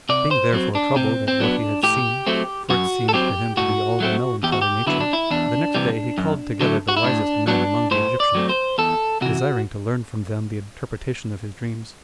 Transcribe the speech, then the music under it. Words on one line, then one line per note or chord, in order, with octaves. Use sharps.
Being therefore troubled at what he had seen, for it seemed to him to be all of a melancholy nature, the next day he called together the wisest men among the Egyptians, desiring to learn from them the interpretation of his dreams.
C3 D5
C5
F#3 C4
D4
C3 C4
C4
F#3 B3 D4
A2 G4
F#3 A3 C4
F#2 F#4
A4
F#3 C4 G4
A2 F#4
F#3 A3 C4
E2 G4
F#4
G4
D3 F#3 B3 E4
D4
E4
E2 D4
C3 E3 G3
F#2
D3 F#3 A3
F#4
E4
A2 D4
F#3 B3 D4
A2 C5
D5
F#3 A3 C4
C5
E2 A4
C3 E3 F#4